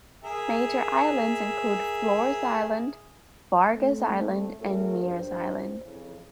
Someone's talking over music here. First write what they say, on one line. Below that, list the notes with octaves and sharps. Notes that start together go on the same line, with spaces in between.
Major islands include Flores Island, Vargas Island, and Meares Island.
G#4 A#4 E5
A3 C4
A2 A3 C#4 F#4 G#4 A#4
G2 C5
F2 C#3 E3